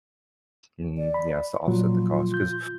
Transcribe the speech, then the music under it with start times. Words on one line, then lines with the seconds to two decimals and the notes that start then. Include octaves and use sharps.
mm, yes, to offset the cost 'cause
0.98 D5
1.14 B5
1.68 A#2 F3 F#3 F4
2.34 G6